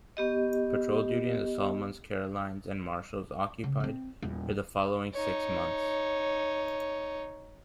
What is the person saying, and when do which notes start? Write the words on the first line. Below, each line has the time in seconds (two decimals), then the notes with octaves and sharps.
Patrol duty in the Solomons, Carolines, and Marshalls occupied her the following six months.
0.17 B3 G4 D#5
3.64 C#3
3.80 B3 C4
4.22 D#1 E2
5.14 D#4 C#5